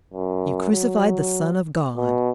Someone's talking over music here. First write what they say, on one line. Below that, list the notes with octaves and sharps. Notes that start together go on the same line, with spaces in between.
You crucified the Son of God.
F#2
F#3
B2